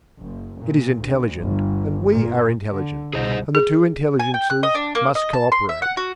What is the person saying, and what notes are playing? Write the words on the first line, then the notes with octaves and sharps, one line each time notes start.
It is intelligent and we are intelligent, and the two intelligences must co-operate.
F#1
A#2
D2
G1
A#2
D3
C2 B2 G#4 C5 D#5
G#4
G#5
G5
F#6
D#5
D4
A#3
D#5
A5
C6
E5
F#5
F#4